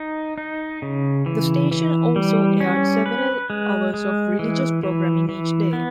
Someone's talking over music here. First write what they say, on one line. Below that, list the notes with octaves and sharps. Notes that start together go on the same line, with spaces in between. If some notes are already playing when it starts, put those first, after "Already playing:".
The station also aired several hours of religious programming each day.
Already playing: D#4
D#4
C#3
E3
E3
G3
C#4
B4
G#3
G#3
E3
E3
E3
B3